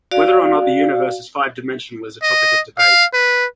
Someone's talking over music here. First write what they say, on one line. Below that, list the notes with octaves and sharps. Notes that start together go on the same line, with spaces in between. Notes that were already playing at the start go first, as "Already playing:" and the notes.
Whether or not the universe is five-dimensional is a topic of debate.
F#4 D5 F5
D#5
F5
B4